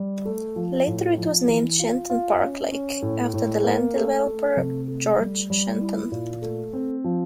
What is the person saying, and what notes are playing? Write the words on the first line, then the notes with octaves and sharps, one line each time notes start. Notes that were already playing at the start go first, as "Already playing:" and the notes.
Later it was renamed Shenton Park Lake, after the land developer George Shenton.
Already playing: G3
A3
F3
A2
F3
E3
F4
F4
C#4
C#4
A2
A2
A#3
A3
A3
C3
A3
G3
G3
E4
A#2
A3
C4
F3